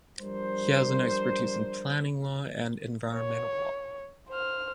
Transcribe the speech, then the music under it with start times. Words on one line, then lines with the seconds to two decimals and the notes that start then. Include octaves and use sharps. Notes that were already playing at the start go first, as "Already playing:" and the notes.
He has an expertise in planning law and environmental law.
0.20 F3 G3 D4 A#4 C5
3.14 C#5
4.29 C5 F6